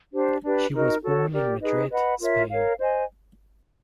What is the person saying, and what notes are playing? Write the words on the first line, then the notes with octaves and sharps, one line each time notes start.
She was born in Madrid, Spain.
D4 G4 C5
D4 G4 B4
D#4 F#4 A#4 D#5
F#4 A4 C#5
G4 A#4 D5
D#4 G#4 B4 D#5
B4 D#5 F#5 B5
F4 A#4 C#5 E5
A#4 C#5 F5
C5 D#5 G#5